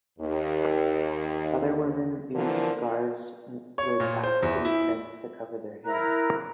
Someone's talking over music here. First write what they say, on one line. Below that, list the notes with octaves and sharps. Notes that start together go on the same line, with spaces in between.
Other women used scarves with African prints to cover their hair.
D#2
D3 E3 F3 A#3 A#4
C#5
A#2
C5
E2
E4
E4 A#4 A#5 F#6